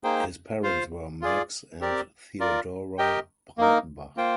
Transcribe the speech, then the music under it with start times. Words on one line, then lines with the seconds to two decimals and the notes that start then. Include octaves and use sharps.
His parents were Max and Theodora Breitenbach.
0.04 A#3 D#4 G#4 C5 G5
0.63 F4 C5 F5
1.22 F4 G#4 D5
1.81 C4 G4 A#4 D5
2.40 F4 A#4 D5
2.98 G4 A#4 D#5 G5
3.58 A#3 D#4 A#4
4.17 A#3 F4 C5 G5